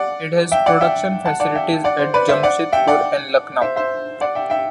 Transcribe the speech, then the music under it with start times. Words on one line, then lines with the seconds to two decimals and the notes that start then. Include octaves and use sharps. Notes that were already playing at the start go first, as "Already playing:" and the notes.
It has production facilities at Jamshedpur and Lucknow.
Already playing: D5 F#5
0.52 E5 G5
0.66 D5 F#5
0.81 E5 G5
1.25 F#5 A5
1.40 D5 F#5
1.55 E5 G5
1.84 D5 F#5
1.99 C5
2.14 B4 D5
2.29 C5 E5
2.43 D5 F#5
2.72 E5 G5
2.88 D5 F#5
3.62 C5 E5
3.76 C5 E5
4.21 D5 F#5
4.35 E5 G5
4.50 E5 G5